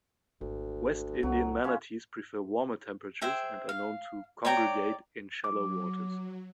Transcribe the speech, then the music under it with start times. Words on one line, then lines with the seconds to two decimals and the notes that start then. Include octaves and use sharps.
West Indian manatees prefer warmer temperatures and are known to congregate in shallow waters.
0.41 G#1 D2
1.23 C2 F#3
1.64 C#4 F4 C5
3.22 G#4 C5 E5 G5
3.69 F5
4.45 C#5 D5 G5 A#5
5.44 F#3 D6